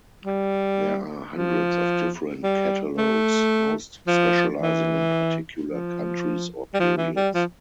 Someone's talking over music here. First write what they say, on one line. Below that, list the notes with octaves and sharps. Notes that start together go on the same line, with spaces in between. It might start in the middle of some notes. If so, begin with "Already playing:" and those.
There are hundreds of different catalogues, most specializing in particular countries or periods.
G3
F3
G3
A3
F3
E3
F3
G3
F3
E3
G3
F3